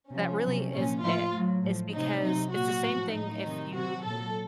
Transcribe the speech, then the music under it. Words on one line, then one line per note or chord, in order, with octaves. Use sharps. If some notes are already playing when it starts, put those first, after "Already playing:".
That really is it. It's because it's the same thing if you,
C3 F3 C#4
C3 F#3
A#2 F3 C#4
A2 F3 F4
A2 F#3
A2 F3
C3 F#3 D#4
C3 F#3 D#4
A#2 F#3 F#4
A2 F3
A2 F#3 D#4
C3 D#3 F#3
C3 F#3 F#4
A#2 F#3 A4